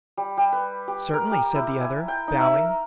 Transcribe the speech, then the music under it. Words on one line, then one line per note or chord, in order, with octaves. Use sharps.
"Certainly," said the other, bowing.
G3
G3
B4
G4
A#4
G4
E4
G#5
G5
D#4
E5
A#4